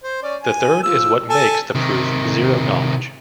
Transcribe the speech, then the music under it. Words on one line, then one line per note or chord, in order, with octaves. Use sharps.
The third is what makes the proof zero-knowledge.
C5
C#4 D5
G#5
F3 E6
A4 G#5 A5
C3 D#3